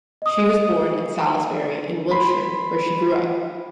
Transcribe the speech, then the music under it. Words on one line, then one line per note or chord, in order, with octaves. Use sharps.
She was born in Salisbury in Wiltshire, where she grew up.
D#5 D#6
B5 C6